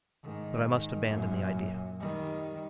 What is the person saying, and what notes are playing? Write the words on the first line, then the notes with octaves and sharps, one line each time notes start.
But I must abandon the idea.
G#2 D#3
F#2 A#2
D#3 G3